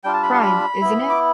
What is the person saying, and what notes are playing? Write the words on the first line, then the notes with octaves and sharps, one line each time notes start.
Prime, isn't it?
G3 D4 F4 G5
A5
B5
C6
B5
B3 E4
D6